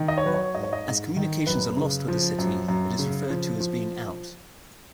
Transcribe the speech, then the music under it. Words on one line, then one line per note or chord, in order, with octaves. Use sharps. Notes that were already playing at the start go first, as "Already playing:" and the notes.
As communications are lost with a city, it is referred to as being out.
Already playing: D#3
D#5
C#5
F#3 B4
C#5
G#2 D#5
C#5
D#5
G#2
D#3
F#2 B4
C#3
F3
F#2
F#2
C#3
F3
F3